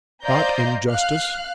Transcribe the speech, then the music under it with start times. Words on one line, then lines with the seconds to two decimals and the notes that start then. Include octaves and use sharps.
'Not in justice?'
0.24 C5 D5 D#5 F5 A#5 G6
0.91 F5 F6 F#6